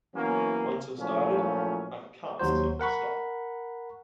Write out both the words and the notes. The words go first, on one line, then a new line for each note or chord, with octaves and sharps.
Once I've started, I can't seem to stop.
E3 F#3 A#3 B3 C#4
A#2 F3 F#3 A3 C#4 E4
D#2 F#3 F#4 C5
A#4 F#5 B5 C#6